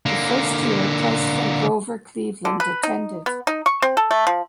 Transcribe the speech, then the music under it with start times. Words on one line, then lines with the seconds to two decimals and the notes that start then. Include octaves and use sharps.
The first year, President Grover Cleveland attended.
0.06 D3 A#3
2.45 D3
2.60 B4
2.83 D#4
3.26 B3
3.47 D#4
3.66 C#6
3.82 C4
3.97 A4
4.11 A3
4.27 F3